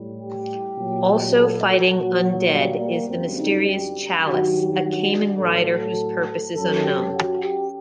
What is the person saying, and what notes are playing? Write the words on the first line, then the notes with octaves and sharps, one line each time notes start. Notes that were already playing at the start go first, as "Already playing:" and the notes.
Also fighting Undead is the mysterious Chalice, a Kamen Rider whose purpose is unknown.
Already playing: A2 G3
G4
A#2 F#3
A4
F#4
A#2 F#3
G3
A#3
F#2 D3 G3 C4
D#4
G4
G2 D#3 F#3 F#4
G4
F#4
D4
A2 F#3 A4
F#2 F#3 A4
G4
F#4
G4